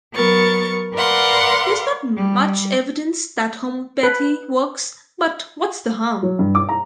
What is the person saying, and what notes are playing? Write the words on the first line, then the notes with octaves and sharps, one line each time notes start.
There's not much evidence that homeopathy works, but what's the harm?
F#3 B3 A#4 C#6 A6
A#4 B4 D5 F5 F#5 C6
G3
B4
F#3
G2
D6
A#5